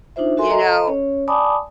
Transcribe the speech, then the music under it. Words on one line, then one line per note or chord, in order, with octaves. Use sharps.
You know,
D4 D#4 F4 C5 E5
F#4 A4 A#4 E5 G#5 C6
A4 D#5 A#5
C#4 C#5
D5 G#5 A5 B5 D6 D#6